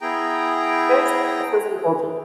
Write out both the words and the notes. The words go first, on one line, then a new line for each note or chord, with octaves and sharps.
there is something that feels indulgent.
B3 E4 G#4 G5 A#5